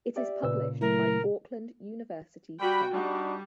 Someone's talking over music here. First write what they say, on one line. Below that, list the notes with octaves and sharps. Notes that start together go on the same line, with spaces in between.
It is published by Auckland University Press.
G4 D5 E5
A#2 C#3 B4 D5 E6
F#3 A3 E4 A#4
G3 F#4 G5 B5
G3 D4 D#4 F#4